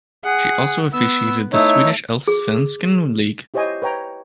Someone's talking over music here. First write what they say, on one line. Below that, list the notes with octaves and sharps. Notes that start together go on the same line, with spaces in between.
She also officiated in the Swedish Allsvenskan league.
G#4 F#5
B3 E6
A3 D#4 E4 C#5
G#4
E4 G4 C5 C#5 D#5 G#5
B4 C#5 G5 A#5